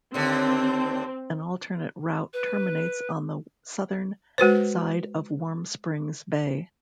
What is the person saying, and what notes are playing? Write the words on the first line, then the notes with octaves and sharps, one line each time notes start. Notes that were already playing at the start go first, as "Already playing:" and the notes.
An alternate route terminates on the southern side of Warm Springs Bay.
D#2 D3 C4
B4
G#3 F#4 B4 C5